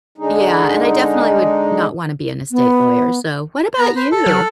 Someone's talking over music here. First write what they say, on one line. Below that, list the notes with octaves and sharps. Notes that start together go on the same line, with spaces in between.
Yeah, and I definitely would not wanna be an estate lawyer, so, what about you?
D3 G#3 D#4
B3
B3 A#5
B4 C5
A4 A5
F#3 F6 F#6